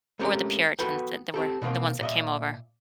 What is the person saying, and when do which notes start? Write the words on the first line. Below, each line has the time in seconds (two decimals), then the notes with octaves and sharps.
Or the Puritans that that were the ones that came over.
0.19 G#3 A3 C4 C#4 G4 A#4
0.79 B3 F#4 A4 B4 G5
1.34 C4 G4 A4
1.62 B2 D#3 G3 A#3 C4
2.01 A#2 D#5 E5